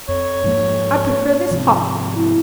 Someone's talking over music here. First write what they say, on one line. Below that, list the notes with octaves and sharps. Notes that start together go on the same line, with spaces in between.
I prefer this hock.'
F2 C#5
G#2 F3 A#3
G#2 C3 F3
E4